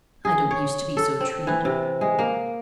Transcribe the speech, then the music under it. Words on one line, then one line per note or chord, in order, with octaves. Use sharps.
I don't use to be so treated.
G#4
C#5
A4
C4
E3
C3
G#3
A#3